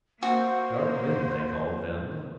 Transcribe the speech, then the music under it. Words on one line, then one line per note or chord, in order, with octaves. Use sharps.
Dark men they call them.
A#3 F#4 C5